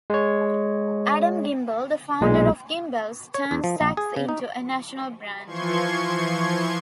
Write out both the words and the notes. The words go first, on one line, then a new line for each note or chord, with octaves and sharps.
Adam Gimbel, the founder of Gimbels, turned Saks into a national brand.
G#3 C#5
B1 A#2 G#3
C#5
E2
F3
A#1
G#4
C#3
D#4
E3 F3 C6 C#6 G#6